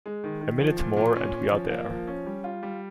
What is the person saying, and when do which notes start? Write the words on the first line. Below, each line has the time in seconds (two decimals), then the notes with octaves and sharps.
A minute more and we are there.
0.06 G#3
0.24 D#3
0.41 D#3
0.60 F3
0.79 A#2
0.96 A#2
1.16 C#4
1.34 C#4
1.52 F3
1.70 A#3
1.90 F3
2.07 C#4
2.26 G3
2.44 F4
2.63 G3